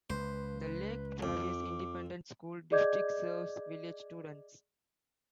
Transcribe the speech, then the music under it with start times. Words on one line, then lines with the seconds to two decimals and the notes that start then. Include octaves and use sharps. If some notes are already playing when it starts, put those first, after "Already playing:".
The Lake Travis Independent School District serves village students.
0.10 C#2 B4 C5
0.62 B4
1.22 F2 D6
2.71 G#4 D5 D#5 D6 G6 G#6